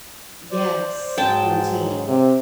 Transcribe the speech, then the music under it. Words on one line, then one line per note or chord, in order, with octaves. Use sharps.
Yes. Routine.
C5 D5
G#2 F#3 G#3 G5 A5
C3